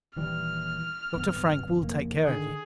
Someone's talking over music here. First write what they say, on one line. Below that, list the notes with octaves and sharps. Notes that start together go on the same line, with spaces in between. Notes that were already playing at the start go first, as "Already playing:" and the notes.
Dr. Frank will take care of you.
D#1 E3 G3 F6
D1 G1 B3
F1 A#3
D3 D#3 G#4